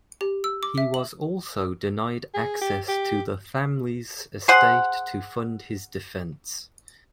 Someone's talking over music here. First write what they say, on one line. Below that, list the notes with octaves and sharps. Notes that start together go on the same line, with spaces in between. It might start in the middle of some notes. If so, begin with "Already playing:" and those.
He was also denied access to the family's estate to fund his defence.
G4
E6
D6
E5
F#7
G#4
G4
G4
G#4 C5 F#5